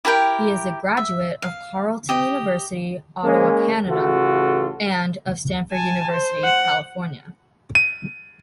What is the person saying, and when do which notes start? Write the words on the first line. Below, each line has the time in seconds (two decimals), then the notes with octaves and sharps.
He is a graduate of Carleton University, Ottawa, Canada, and of Stanford University, California.
0.05 E4 G4 A#4 G5
0.97 E5
1.42 F5
2.09 G4 D#5
3.24 G#3 A#3 C#4
3.88 A1 C#3 F4 F#4 A4
5.72 G#5 A5
6.12 C5
6.44 F#5
7.75 D#7